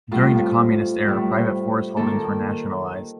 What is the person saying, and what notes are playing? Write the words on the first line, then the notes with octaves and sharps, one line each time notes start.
During the communist era private forest holdings were nationalized.
A2 G3 C4 F4
A2 G3 C4
D#3 A#3 A4